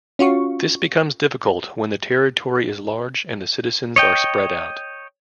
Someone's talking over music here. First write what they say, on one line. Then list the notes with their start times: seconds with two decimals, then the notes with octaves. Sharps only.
This becomes difficult when the territory is large and the citizens are spread out.
0.19 C#4 F4 F#4 C#6
3.96 C#5 D#5 G5